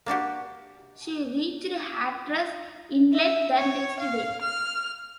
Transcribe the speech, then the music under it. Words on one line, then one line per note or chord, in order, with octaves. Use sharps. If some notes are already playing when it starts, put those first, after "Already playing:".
She reached Hatteras Inlet the next day.
A#3 D4 F#4 G4
E5
C#5
F5
F6